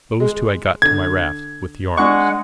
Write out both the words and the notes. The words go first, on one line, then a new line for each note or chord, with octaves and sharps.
Those two I got to my raft, with the arms.
G#3
D3 G#6
G#3 D4 F#5 C#6